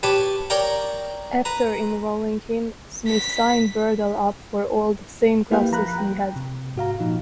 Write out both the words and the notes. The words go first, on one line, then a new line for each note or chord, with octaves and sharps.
After enrolling him, Smith signed Burdell up for all the same classes he had.
G4 B4 C#5 A5
A#4 C#5 D5 G5 A#5
B4 A#5
B6
A#3 E4 G4 B4 F5 G5
F3 A#5 B5 F#6
G5
C3
G#2 F#4 F5 A#5
A#2 F3 D#4